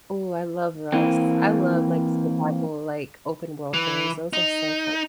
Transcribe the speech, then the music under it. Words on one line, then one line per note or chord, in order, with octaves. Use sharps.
Ooh, I love Rust. I love, like, survival, like, open-world games, those are so fu
E3 A#3 C4
E3
D#4